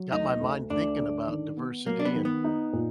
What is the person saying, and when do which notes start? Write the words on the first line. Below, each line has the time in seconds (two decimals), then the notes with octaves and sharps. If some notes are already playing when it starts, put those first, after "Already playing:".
got my mind thinking about diversity and
Already playing: F#3
0.12 D2 D#4
0.41 D2
0.70 D2 D4
0.99 D3
1.28 D#3
1.57 B3
1.86 F#3 A#3
1.99 D4
2.05 B3
2.15 D#3
2.25 B3
2.44 D#4
2.73 A#2